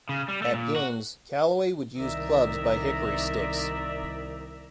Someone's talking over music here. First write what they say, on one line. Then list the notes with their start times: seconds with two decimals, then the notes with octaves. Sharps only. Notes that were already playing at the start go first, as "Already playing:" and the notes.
At games, Callaway would use clubs by Hickory Sticks.
0.09 C#3
0.28 G3
0.42 A3
0.54 A#2
0.76 F#4
1.98 C2 D#3 D5 E5 A#5